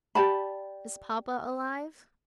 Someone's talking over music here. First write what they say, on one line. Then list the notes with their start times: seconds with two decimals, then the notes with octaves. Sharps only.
Is papa alive?'
0.15 G4 D5 A5 B5